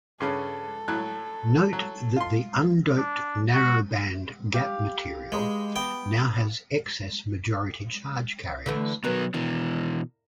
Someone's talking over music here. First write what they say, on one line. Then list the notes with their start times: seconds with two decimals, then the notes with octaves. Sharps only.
Note that the undoped narrow band gap material now has excess majority charge carriers.
0.20 G2 C#3 C#4 A4
0.88 A2 F#3 F#6
1.73 F#3
2.16 F4 C6
2.98 D4
3.54 F#4
4.54 G4 F5
5.32 G#3 B4 D#5 C6
5.76 B3 G5
8.66 D3 E3 A3
9.04 B2 D#3 F#3 B3
9.34 B2 D#3 E3